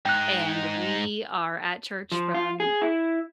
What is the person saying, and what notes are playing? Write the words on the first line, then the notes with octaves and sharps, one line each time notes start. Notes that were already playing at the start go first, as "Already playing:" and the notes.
and we are at church from
G#2 D#4 G5 F#6
F3
F4
G#4
E4